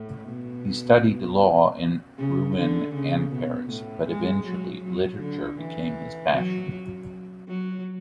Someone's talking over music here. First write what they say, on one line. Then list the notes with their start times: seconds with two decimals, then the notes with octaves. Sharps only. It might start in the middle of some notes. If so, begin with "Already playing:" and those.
He studied law in Rouen and Paris, but eventually literature became his passion.
Already playing: A2
0.30 B2
2.19 C#3
2.56 D3
2.94 C#3
3.32 B2
3.70 A2
4.08 G#3
4.46 F#3
4.83 F#3
5.22 D3
5.59 E3
6.35 F#3
7.48 F#3